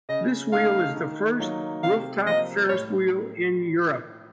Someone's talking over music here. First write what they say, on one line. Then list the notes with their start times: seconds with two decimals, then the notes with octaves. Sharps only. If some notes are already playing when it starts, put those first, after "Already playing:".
This wheel is the first rooftop Ferris wheel in Europe.
0.09 C#3 D#5
0.52 A3 D#4 F5
0.96 D#3
1.39 F#3 A#3 D#4
1.83 C3 F5
2.26 F3 A#3 D#5
2.69 A2 C#5